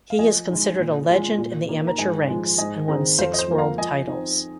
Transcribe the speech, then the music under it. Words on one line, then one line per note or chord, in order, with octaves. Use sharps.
He is considered a legend in the amateur ranks and won six world titles.
F5
F3 D#5 G#5
G#3 D#4
A#2
G#3 F4
A#2
A#3 D#4
A#5
G#2 D#5 G#5
F3 G#3
G#2 D#5 G#5
D#3 C4 D#4 G#4
F2 C5 F5
D#5
C5
F3 A#3
F5 A#5
F3 D#5 G#5
C4 D#4